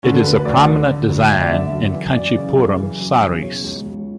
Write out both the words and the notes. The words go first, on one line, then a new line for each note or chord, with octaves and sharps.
It is a prominent design in Kanchipuram saris.
D3 C#4
A4
D2 B4
B4
D2 D5
D3
D3
D2
D2 E5
D5
D3 E5
F#2
E3
F#2 D5
C#3
F#2
E3
F#2
C#3
B2 C#5
C#2
C#2